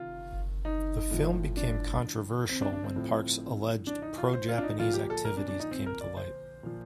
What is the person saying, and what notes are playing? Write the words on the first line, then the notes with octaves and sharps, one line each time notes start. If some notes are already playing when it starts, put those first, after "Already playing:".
The film became controversial when Park's alleged pro-Japanese activities came to light.
Already playing: C3 D#3 F4
D#4
A2 F3
D4
C4
D4
D4
C4
A2 F3
D4
D#4
F4
C5
F4
D4
D#4
A#2 F3 F4
G4
A4
A#4
D4
D4
D#4
C4
A#4
D5
C5
A#2 F3